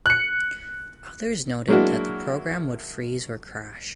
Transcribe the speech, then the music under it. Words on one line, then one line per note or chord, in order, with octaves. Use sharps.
Others noted that the program would freeze or crash.
F#6 C#7
F#3 G#3 A#3 D4 E4 F#4